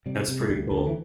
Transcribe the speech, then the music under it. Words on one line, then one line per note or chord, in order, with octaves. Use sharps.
That's pretty cool.
C3 G3
C3
G#3
D2 G3
D2 D3
E3